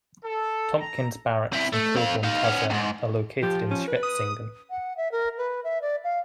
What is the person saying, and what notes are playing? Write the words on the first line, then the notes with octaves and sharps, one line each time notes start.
Tompkins Barracks and Kilbourne Kaserne are located in Schwetzingen.
A4
A#5
C4 E4
A3
C4 F5
D#4 F5
B3 C#4
C#2 G#2
F3 G4
C#4
B4
D#6
F#5
E5
A#4
B4
E5
D5
F5